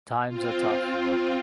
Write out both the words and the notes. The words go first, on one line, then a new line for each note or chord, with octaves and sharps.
Times are tough.
C4 F4